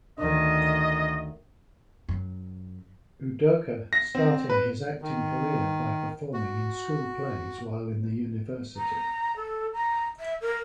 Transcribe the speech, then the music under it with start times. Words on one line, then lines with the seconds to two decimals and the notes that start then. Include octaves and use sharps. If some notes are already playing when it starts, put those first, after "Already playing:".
Udoka starting his acting career by performing in school plays while in the University.
0.19 D2 D#3 D#5
2.09 F#2
3.93 A#6
4.15 C4
4.50 B4
5.02 D#3
6.34 F#4
8.77 A#5
9.36 A4
9.73 A#5
10.20 E5
10.41 A#4